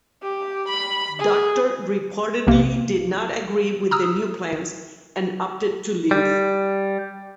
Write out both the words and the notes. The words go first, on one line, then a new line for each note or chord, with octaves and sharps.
Doctor reportedly did not agree with the new plans, and opted to leave.
G4
B5
G#4
B1 C3 A#3
A#5 D#6 E6
G3